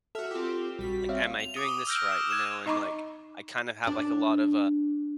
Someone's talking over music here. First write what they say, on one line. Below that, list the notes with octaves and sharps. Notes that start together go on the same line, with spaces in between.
like, "Am I doing this right," you know, and, like, I kind of have, like, uh, lot of
F#4 A4 E5 F6
C4 F4 G4
A#1 G3 F#4 B6
C4 C#5 E5 F5
F7
D6 D#6 D#7
G7
E6 F6 G6 A#6 D7
E7
F#6 G#6 D#7 E7
D#4 D#5 A#5 B5 C#6 D6
D4